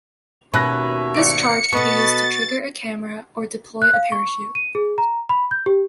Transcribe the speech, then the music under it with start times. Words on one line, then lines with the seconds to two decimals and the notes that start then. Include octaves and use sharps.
This charge can be used to trigger a camera, or deploy a parachute.
0.54 D#2 B2 C#4 B4 C#5 E5 F#6 A#6
1.15 G#1 D5 C#7 D7
1.73 B2 B3 A4 B4 D#5 C#6 A6
3.82 F#6
3.93 F5
4.12 C#6
4.55 D#7
4.75 G#4
4.98 A#5
5.29 B5
5.51 G6
5.66 G4